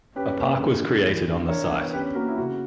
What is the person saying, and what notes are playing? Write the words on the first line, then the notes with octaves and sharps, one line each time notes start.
A park was created on the site.
C#4 G4 B4
A#3
D3
D3
E3
E3
D4 A#4 C#5
B3
C#4 G4 B4
A#3 F#4 A#4
E4
C#3 F#4